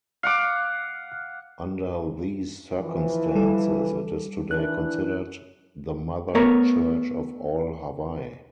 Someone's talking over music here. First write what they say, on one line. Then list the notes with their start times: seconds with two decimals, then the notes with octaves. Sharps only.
Under these circumstances it is today considered the mother church of all Hawaii.
0.23 F5 F#5 D6
2.80 E3 F3
3.35 G3 A4
4.51 E3 D4 E4 F#6
6.35 A3 B3 A#4 C#5